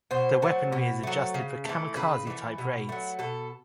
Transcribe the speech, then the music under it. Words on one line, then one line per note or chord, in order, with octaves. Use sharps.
The weaponry is adjusted for kamikaze type raids.
B2 C5
F#3 A3
B2
F#3 A3
C#3
E3 A3
C#3 B4
E3 A3
B2
F#3 A3
B2 A4